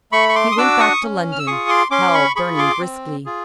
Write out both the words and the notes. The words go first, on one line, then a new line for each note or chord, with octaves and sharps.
He went back to London, hell burning briskly.
A3 B5 C#6
C#6
C6 D6
D#6
D4 F#4 D6 E6
C#6 D#6
C#4
F6
E6
F4 G#4 C#6 D#6
C6 D6
C#4 C6 D6
B5 C#6
F4 G#4 B5 C#6
C6 D6
C4
F4 G#4